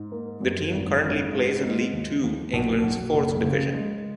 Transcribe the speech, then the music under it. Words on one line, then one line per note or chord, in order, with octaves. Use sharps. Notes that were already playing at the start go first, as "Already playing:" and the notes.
The team currently plays in League Two, England's fourth division.
Already playing: G#2
A#3
F#2
G#1
G#1
G#2
G#3
D#2
D#2
B1
B1
F#1
C#3
G#3